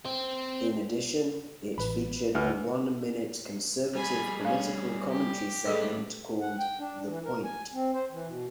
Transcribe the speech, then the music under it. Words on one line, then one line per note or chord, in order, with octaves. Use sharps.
In addition, it featured a one-minute conservative political commentary segment called "The Point".
C4
A1 B4 B5
D2 E4 B4 F6
G3 G#4 G#5 B5
C#4 D4 F5
G4
A2 G#4 A4 B4 D#5
F#5
G5
D4
E3
A#4
G#5
C4
C5
E3
B2